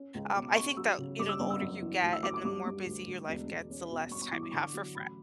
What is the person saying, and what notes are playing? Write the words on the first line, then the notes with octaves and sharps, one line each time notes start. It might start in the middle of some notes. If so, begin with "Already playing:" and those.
um, I think that, you know, the older you get and the more busy your life gets, the less time you have for friend.
Already playing: C#4
C#2
B2 D6
C#4 C#6
F#3 E6
C#3
G2 D6
E6
G1
E6
F#2
E3
D2
E6
F#3 D6
D6
G2 D6
G2
D2
D2
E1
E1
C#4
B2
G1 C#6
C#6
E3 D6
D6
D3 C#6
D6
F#3
A1 B5